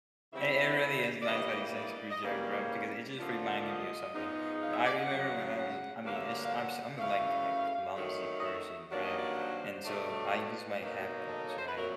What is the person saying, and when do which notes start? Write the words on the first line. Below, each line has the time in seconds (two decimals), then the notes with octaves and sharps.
Hey, it really is nice how you say screwdriver, right, because it just reminded me of something. I remember when I was I mean, it's I'm s I'm a like, a clumsy person, right? And so I use my headphones, right?
0.32 C#3 E3 G3 C4 E4 E5
1.21 D5
1.27 G2 E3 G3 A#3 D#5
1.74 D5
2.11 D#5
2.22 C#3 E3 G3 A#3 C#4 D5
3.18 D3 F3 A#3 D4 F4
3.66 D#5
4.13 G#2 F3 G#3 B3 D#4
4.61 F5
4.73 E5
4.85 D5
4.97 F#5
5.09 F#2 C#3 F#3
5.57 F#5
6.04 G2 D3 F#3 A#3 D4 F5
6.14 E5
6.24 F5
6.43 F5
6.51 F#5
6.99 F#2 C#3 E3 A3 F5
7.95 D#3 F#3 A3
8.38 D#5
8.43 E5
8.90 G2 D#3 F#3 A#3 D4 D5
9.03 D#5
9.16 D5
9.38 C5
9.85 B2 F#3 A3 D4
10.34 B4
10.81 B2 F#3 A#3 D#4
11.29 A4
11.46 C#5
11.56 C5
11.67 B4
11.77 A#2 F#3 A3 C4 A#4